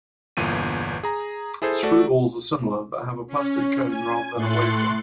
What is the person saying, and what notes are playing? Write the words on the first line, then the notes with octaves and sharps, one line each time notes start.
Screwballs are similar but have a plastic cone rather than a wafer.
G1 E2 A#2 D#7
G#4 A#5
E4 G#4 A4 C5
A3 F#4 A4 D5
C#4
G#5
A2 A3 C6 F#6 A6 C#7